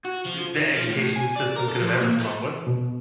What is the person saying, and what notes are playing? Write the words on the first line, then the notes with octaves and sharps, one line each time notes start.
s the education system could have ever come up with
F#4
F3
D#3
F3
A2
G#5
D5
A#4
A4
F3
A#3
A3
B2